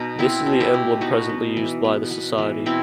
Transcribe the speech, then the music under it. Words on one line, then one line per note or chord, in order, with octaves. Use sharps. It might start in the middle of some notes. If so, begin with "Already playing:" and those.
This is the emblem presently used by the society.
Already playing: B2 D#4
B3 C4 E4
B2
E4 G4
B2
B3 D#4 F#4
B3
E3
B3
B3
E3
B2 C4 E4